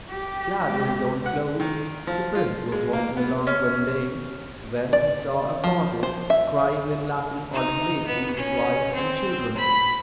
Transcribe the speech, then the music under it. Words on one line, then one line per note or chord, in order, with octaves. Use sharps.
Clad in his own clothes, the prince was walking along one day when he saw a potter crying and laughing alternately with his wife and children.
G4
G#3 G4
F#5
D#3
F3
F4
G#3
A#3
B3
C#4
D5
F3
C5
E5
D#4
B3
C#4
C4
B5